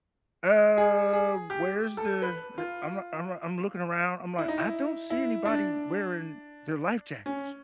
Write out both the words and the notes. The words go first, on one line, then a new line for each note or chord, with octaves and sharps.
uh, where's the" e I'm I'm I'm looking around, I'm like, "I don't see anybody wearing their life jackets."
G#4
G#4
G4
A4
B4
F4
E4
D#4
E4
E4
D4
C#4